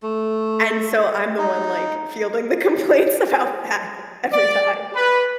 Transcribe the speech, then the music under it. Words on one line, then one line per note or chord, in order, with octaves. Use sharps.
And so I'm the one, like, fielding the complaints about that every time.
A3
D#4
D5
B4